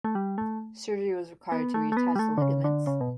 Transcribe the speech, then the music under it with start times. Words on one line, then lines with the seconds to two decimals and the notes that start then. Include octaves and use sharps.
Surgery was required to reattach the ligaments.
0.04 A3
0.15 G3
0.38 A3
1.52 B3
1.74 A3
1.92 A3
1.97 B3
2.16 G3
2.19 A3
2.38 D3
2.42 C#3
2.64 D3
2.87 C#3
3.01 B2